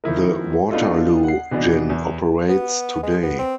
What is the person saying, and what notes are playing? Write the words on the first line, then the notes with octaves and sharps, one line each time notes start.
The Waterloo Gin operates today.
D#3 F3 E4 A#4
B3 D4 D#4 F4 A4
F#5 C7
B2 E3 B3 D4 D#4
E2
B3
G#3
B3
C4